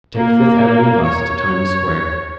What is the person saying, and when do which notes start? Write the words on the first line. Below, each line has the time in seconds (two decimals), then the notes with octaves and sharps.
Take Fifth Avenue Bus to Times Square.
0.15 A#3
1.06 C#5